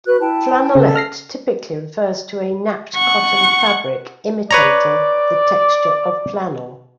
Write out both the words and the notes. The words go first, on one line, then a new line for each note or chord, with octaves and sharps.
Flannelette typically refers to a napped cotton fabric imitating the texture of flannel.
F#4 B4 F#6
E4 G5 A5
C#3 A4 A5
F6 A#6 C7
F#5 C#6
B4 C#5 D5 A#5